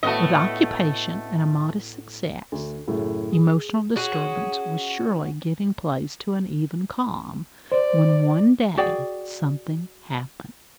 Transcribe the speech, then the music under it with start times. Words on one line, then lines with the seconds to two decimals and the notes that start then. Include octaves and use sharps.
With occupation and a modest success, emotional disturbance was surely giving place to an even calm, when, one day, something happened.
0.03 A2 A3 B3 F#4 D#5
2.52 D2
2.87 F#2 A2 C#3
3.32 G#4
3.96 C#4 F#4 G#4
7.72 C5 D5
8.77 F#4 G#4 D5 G5